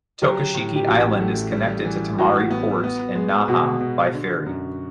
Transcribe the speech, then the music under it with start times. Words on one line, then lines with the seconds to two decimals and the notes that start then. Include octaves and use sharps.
Tokashiki Island is connected to Tomari Port in Naha by ferry.
0.22 F#3 G4
0.54 A2
0.76 G4
0.87 A1 F#4
1.20 A3
1.52 G3
1.85 E3
2.18 A2 F#4
2.51 B3
2.84 B3
3.15 G#3
3.48 B2 F#4
3.81 B2
4.14 D3
4.46 F#2